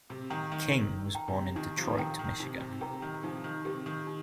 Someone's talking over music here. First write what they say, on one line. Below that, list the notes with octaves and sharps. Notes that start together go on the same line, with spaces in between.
King was born in Detroit, Michigan.
C3
D#3 G5 A#5
D#3
A#4
G5 A#5
C3
D#3 D#4
C3 F3
D#3 A#4 G5 A#5
D#3
C3 D#4
C3
C3 A#4 G5 A#5
D#3
C3 F3 D#4
D#3
C3 G4 A#4
D#3
D#4